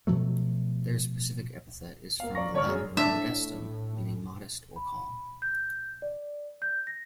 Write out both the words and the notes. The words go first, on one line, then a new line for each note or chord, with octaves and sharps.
Their specific epithet is from the Latin word "modestum", meaning modest or calm.
B2 F3 F#3 A3
A#3 F5
D5 F5 A#5 C#6 A#6
G1 C#5 D5 C#6 F6
F#2 G#4
A2 D4 E5
B5
G6
D5
G6
A#6